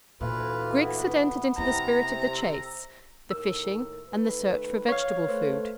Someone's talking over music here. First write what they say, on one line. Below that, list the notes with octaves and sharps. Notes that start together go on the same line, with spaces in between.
Griggs had entered into the spirit of the chase, the fishing and the search for vegetable food.
D2 A#2 E3 F4 B4
B3
C3 E4 A#5
A4
D#2 A2 A#4 E6
D#3 A3 B4
C#5 F5
A3 B4 C5